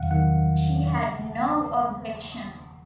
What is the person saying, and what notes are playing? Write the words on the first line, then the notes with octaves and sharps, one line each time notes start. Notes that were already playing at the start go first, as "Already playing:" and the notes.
She had no objection.
Already playing: E2 C3 D#3 F#3 F5 F#5
E2 C3 D#3 F#3 F#5
C#3 F3 A#3